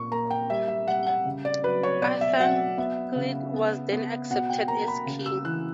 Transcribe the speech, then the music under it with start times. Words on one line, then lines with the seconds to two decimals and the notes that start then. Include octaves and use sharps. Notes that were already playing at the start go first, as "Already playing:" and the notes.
Athanagild was then accepted as king.
Already playing: A#2 C#6
0.11 A#3 A#5
0.31 G5
0.50 G3 E5
0.68 E5
0.88 G3 F#5
1.07 F#5
1.25 C#3
1.45 D5
1.64 F#3 B4
1.83 C#5
2.02 B2 D5
2.21 E5
2.40 F#3 F#5
2.78 B3 E5
3.16 C#3
3.54 B3
3.92 B3
4.30 B2 F#5
4.50 G5
4.68 A#3 A#5
4.88 B5
5.06 C#3
5.26 E6
5.44 E3 F#6